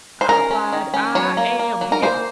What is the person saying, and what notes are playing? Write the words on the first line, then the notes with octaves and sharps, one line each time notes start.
I replied, "I am here."
C5
C#4 A#4
C#4
D#3
C#4
F#3 C#5
A#3
A#3
F#3
A#4
A#3 C5